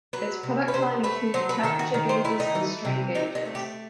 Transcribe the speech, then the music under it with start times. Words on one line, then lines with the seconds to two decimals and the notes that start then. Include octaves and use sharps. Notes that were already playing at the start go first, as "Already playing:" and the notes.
Its product line included temperature gauges and strain gauges.
0.13 F#3 B4
0.43 C3
0.68 B4
0.73 C3 C5
1.04 A3 B4
1.34 F#3 C5
1.49 B4
1.63 D#3 A4
1.79 F#4
1.94 D#3
2.09 C5
2.24 A3 E4
2.40 D#4
2.55 E3
2.85 C3
3.15 C3 D#4
3.35 D#4
3.45 A3
3.55 G4